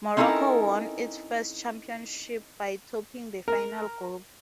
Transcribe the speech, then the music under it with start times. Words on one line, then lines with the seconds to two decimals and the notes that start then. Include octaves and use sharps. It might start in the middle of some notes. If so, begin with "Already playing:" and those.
Morocco won its first championship, by topping the final group.
0.17 C4 C#4 D#4 E4 A4 A#4
3.48 A#4